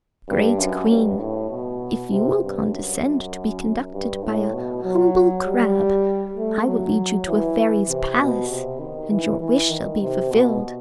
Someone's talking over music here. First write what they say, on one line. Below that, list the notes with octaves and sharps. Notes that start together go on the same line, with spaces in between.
"Great Queen, if you will condescend to be conducted by a humble crab, I will lead you to a Fairies' palace and your wish shall be fulfilled."
G2
F#2
G2
A2
B2
C3
G2
F#2
F#2
G2
A2
B2
F#3
G3
A3
F#3
E3
C3
B2
C3
D#3
E3
E3
D#3
C3
B2